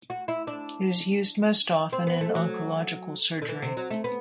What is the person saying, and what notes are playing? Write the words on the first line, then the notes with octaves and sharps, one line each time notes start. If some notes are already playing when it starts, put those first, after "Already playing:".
It is used most often in oncological surgery.
F#4
E4
D4
C4
B3
A3
F#3
D3
E3
C3
F#3
A3
B3